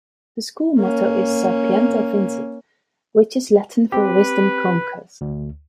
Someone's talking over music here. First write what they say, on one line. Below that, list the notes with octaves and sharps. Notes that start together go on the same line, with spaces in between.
The school motto is "Sapienta Vincit" which is Latin for "Wisdom Conquers".
A#3 C#4
C4 G4 B4
D2